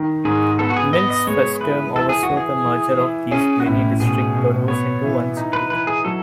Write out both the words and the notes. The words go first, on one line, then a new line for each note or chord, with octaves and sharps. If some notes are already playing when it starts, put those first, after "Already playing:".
Mills' first term oversaw the merger of these many district boroughs into one city.
Already playing: D#3
G#2 G#4
B3 A4
F#4
G#4
B3 D#5
D#5
G#3 C#5
E3 B4
E3 A4
G#4
F#4
E3
G#4
E3
E3
C#4 G#4
F#4
A2 E4
B2 G#4
B2
B3 C#5
E3
D#4
B4
E3 B4
G#4
F#3 A4